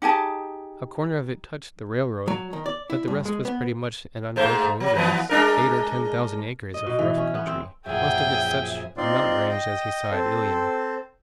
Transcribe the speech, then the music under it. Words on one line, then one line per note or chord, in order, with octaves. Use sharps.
A corner of it touched the railroad, but the rest was pretty much an unbroken wilderness, eight or ten thousand acres of rough country, most of it such a mountain range as he saw at Ilium.
D#4 G4 G#4 A5
F#3
D#3
D5
E4
G2
G#3
B3
G#2 A3 C5
F#3
E3 F3 B3
G#3 D4 A#4
D#5
B2
E3
C#4
B3
C4
A#1 F#2 G#4 E5 G5
C4 D#4 F4 D5 C6
D#5 G5
C4 A4 C5